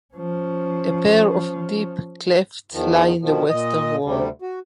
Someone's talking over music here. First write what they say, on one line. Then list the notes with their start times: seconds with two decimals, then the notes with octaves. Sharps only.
A pair of deep clefts lie in the western wall.
0.14 F3 C#4
2.73 E2 D#3 F3
3.22 B2 D#3 F3
3.50 A#2 D#5
4.04 D2 C3 G3
4.42 F#4